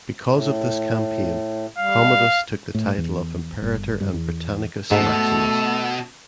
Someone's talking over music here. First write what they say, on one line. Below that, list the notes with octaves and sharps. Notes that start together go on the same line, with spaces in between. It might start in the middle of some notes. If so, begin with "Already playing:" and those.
Because of this campaign Commodus took the title of Imperator and Britannicus Maximus.
A2
G3 F5
A2
E2
G1
G2
E2
G#2 B2 A3 A4